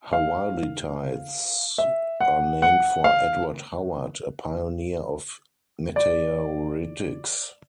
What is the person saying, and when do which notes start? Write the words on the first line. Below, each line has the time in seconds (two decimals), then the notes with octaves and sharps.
Howardites are named for Edward Howard, a pioneer of meteoritics.
0.13 F5
1.78 E5
2.21 F#5
2.62 F#5
3.04 F5
5.96 D5